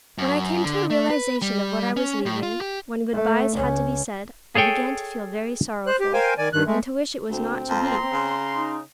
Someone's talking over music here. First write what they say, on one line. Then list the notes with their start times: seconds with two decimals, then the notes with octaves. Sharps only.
When I came to a realization of what I was leaving, when good-bys had to be said, I began to feel very sorrowful, and to wish it was not to be.
0.18 F#2
0.64 D3
0.90 A3
1.10 B4
1.42 G3
1.97 C#4
2.26 A2
2.43 F4
2.61 G4
3.13 A3
3.54 C#2 C#4
4.55 G#4 A4 C#5 G5 G#5
5.87 C5 F#6
6.00 G4
6.14 A#4 C5 F5 G5 G#5
6.38 D#3 D5 G#5
6.53 G2 D#3 F#6
6.66 G#3 A3
7.30 D2 C4
7.69 F2 A#5 C6
8.12 C#3
8.54 D#4